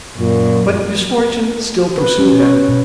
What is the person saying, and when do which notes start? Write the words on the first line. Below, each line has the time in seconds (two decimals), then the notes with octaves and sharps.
But misfortune still pursued him.
0.18 F#2 A#2
1.98 B4
2.19 C#4
2.40 C#5
2.69 B2